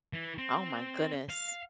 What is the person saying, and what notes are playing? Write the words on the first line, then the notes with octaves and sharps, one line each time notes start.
Oh my goodness.
E3
C4
F5